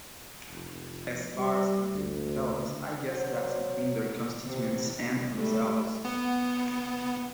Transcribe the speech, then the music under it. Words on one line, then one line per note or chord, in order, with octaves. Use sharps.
As far as convicted felons, I guess that's between their constituents and themselves.
F1
G3
D2
F#3 C5
E2 C3
G3 A3
B3